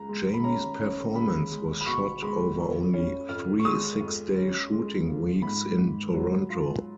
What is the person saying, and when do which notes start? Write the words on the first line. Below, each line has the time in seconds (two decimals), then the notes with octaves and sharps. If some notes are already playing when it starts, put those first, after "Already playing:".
Jamie's performance was shot over only three six-day shooting weeks in Toronto.
Already playing: C#2 A#5
0.09 G#3
0.34 B5
0.44 C#4 A#5
0.80 C#4
1.16 C#2 B5
1.51 G#3
1.81 B5
1.86 B2 C#6
2.22 G#3 B5
2.58 F2
2.94 C#4
3.29 F2 F6
3.60 C#6
3.65 G#3 D#6
4.01 F2
4.36 C#4
4.72 G#3
5.07 F3
5.42 G#2 B5
5.79 G#2
6.14 F#3
6.50 F4